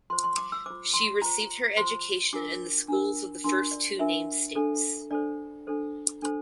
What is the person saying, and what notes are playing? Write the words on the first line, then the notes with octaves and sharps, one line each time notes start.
She received her education in the schools of the first two named States.
F4 C5 C6
C6
D6
E6
F4 C5 D6
C6
F4 C5 A#5
F4 C5 C6
D4 F4 A#4 D6
D4 F4 A#4
D4 F4 A#4 C6
D5
D4 F4 A#4 E5
D4 A4 C5
D4 A4 C5 D5
D4 A4 C5
D4 A4 C5